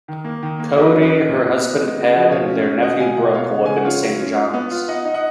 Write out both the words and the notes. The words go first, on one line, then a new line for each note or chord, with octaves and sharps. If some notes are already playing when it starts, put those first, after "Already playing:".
Coady, her husband Pat and their nephew Brook live in Saint John's.
D#3
A#3
D#3
A#3
F#3 B4 D#5
C#4
B4 D#5
C#4
A#2
A#2
B3
D#4
C#3
F3
D#5
B2 C#5 F5
C#4
C#4
B2 D#5 F#5
B2 F5 G#5
B2 D#5 F#5
B3 C#5 F5
C#3
C#3 G#5
F#5
F4 C#5 F5
F#3
C#4
F4
B3
F4
D#4 D#5 F#5
D#4
D#5 F#5